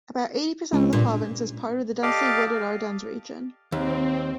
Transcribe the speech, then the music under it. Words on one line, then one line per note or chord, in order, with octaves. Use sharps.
About eighty percent of the province is part of the densely wooded Ardennes region.
C#2
G2 A#2
G4 A4 D5 D#5 F5
D#2 C4